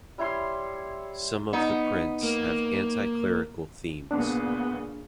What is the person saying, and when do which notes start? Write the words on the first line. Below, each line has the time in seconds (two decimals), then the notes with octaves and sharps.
Some of the prints have anticlerical themes.
0.18 G3 E4 C#5 C6
1.53 B3 D#4
2.23 A#3
4.11 A#2 C#3 B3 D4